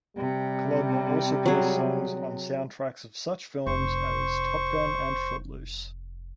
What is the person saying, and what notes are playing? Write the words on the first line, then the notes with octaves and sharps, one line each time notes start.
Kalodner also placed songs on soundtracks of such films as "Top Gun" and "Footloose".
C3 G3
F#3 G#4
F1 C5 C#6